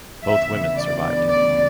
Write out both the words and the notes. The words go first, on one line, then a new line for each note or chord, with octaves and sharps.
Both women survived him.
D2 C#3 E3 B3 E5
D5
D5